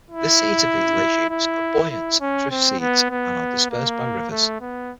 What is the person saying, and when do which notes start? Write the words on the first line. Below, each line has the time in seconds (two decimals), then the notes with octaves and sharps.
The seeds of these legumes are buoyant drift seeds, and are dispersed by rivers.
0.11 E4
1.30 E4
1.90 E4
2.21 C#4
2.51 C4
2.80 B3
3.10 B3
3.71 A#3
4.31 A3
4.60 B3